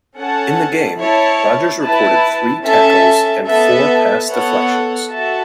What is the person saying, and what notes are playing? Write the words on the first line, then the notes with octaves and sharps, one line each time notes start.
In the game, Rogers recorded three tackles and four pass deflections.
C#4 A4 F#5 A5
E4 C#5 A5
E4 B4 A5
C#4 A4 E5 A5
B3 A4 E5 A5
B3 A4 C#5 F#5
F#4 A4 E5 A5